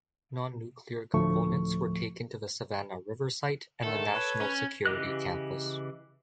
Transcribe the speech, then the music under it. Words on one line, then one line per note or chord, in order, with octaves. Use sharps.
Non-nuclear components were taken to the Savannah River Site and the National Security Campus.
D2 A2 F3 A3 C#6
D3 D#3 A3 A4
B4 C#5
C#4
C#3 E3 G4 D#5 F#6